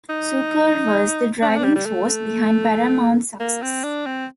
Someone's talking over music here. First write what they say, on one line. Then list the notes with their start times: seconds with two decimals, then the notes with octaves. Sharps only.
Zukor was the driving force behind Paramount's success.
0.10 D#4
1.42 D4
1.49 C4
1.56 D4
1.64 G3
1.76 G3
1.86 A3
3.40 A#3
3.62 C4
3.84 D4
4.06 C4